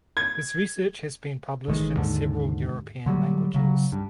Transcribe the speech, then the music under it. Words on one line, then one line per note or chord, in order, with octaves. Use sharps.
His research has been published in several European languages.
G#6
A1 D#3 G#3
D#2 G#2 D3
D3 F#3 G3
C#3 F#3
G2